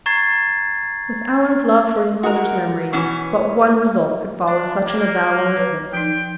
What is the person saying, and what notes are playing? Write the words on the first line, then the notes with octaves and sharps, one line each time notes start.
With Allan's love for his mother's memory, but one result could follow such an avowal as this.
A#5 C#6 G#6 A6 C7
F#4 A#4
B2 E3 C#4
D4 C5
A#3
B4 C#5
F3 D#4 G5